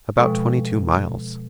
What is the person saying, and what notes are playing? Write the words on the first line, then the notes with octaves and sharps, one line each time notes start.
'About twenty-two miles.
B2 F3 G#3 A4 G5 C#6